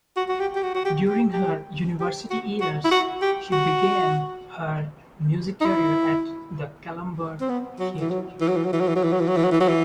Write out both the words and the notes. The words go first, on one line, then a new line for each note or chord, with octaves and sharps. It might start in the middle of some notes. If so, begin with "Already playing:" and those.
During her university years, she began her music career at the Kalambur theater.
F#4
F#4
G4
G4
F#4
F#4
G4
G4
G4
G4
F#4
F#4
E4
F#4
G4
F#4
D#4
E4
C4
B3
F#3
E3
F#3
E3
F#3
E3
F#3
E3
F#3
E3
F#3
E3
F#3
E3
F#3
E3
F#3
E3
F#3
E3